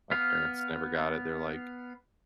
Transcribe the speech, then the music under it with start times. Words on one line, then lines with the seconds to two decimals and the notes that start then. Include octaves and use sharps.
my parents never got it, they're, like,
0.11 B3 F5